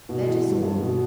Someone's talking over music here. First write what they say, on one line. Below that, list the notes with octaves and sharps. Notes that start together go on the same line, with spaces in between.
That is all.
B2
E3
G2
G2
B2